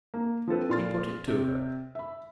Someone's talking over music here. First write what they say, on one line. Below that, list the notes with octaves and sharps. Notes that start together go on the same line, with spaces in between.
He put it to her.
A#3
F3 C4 A4 B4
A#2 F4 A4 C6 F6 A6
C3
E5 B5